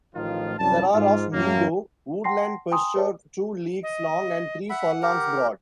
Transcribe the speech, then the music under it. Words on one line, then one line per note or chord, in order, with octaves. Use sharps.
There are of meadow, woodland pasture two leagues long and three furlongs broad.
A1 A2 D#3 F3 F4
C2 F#2 G3 A5
G#2 F4
F#2 A2 A#3
F#5 G5 A5 C6 A#6 C7
G5 G#5 A#5 C6 D#6
G4 G#4 B4 C#5 E5 A5
D#5
E5 F#5 B5
G4 A#4